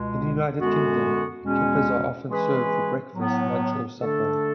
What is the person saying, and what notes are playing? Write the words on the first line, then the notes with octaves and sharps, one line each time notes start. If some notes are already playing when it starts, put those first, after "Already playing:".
In the United Kingdom, kippers are often served for breakfast, lunch or supper.
Already playing: C#2 B2 G#3
F#2 D3 G#3 B3 F#4
E2 B2 G#3 C#4
E3 G#3 C#4 G#4 B4
A2 F#3 B3
D3 A3 D4 A4